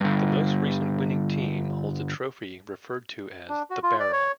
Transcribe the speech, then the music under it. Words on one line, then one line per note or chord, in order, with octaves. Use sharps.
The most recent winning team holds a trophy referred to as The Barrel.
G2 D3
D4
F#4
F4
D5
C#5